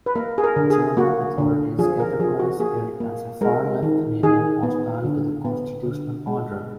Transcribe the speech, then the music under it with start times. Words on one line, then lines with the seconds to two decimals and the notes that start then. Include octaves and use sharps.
German authorities categorize it as a far-left medium hostile to the constitutional order.
0.06 B4
0.15 A#3 A#4
0.38 G#4
0.44 A#4
0.56 D3
0.70 G#4
0.97 A#3 F#4
1.38 D3
1.79 F3 G#4
2.00 A#4
2.20 F3 G#4
2.39 F#4
2.60 A#3 G#4
3.00 A#3
3.41 G#3 A#4
3.83 D#3
4.23 D#3 G#4
4.63 B3
5.04 D3
5.45 B3
5.86 D3
6.27 G#3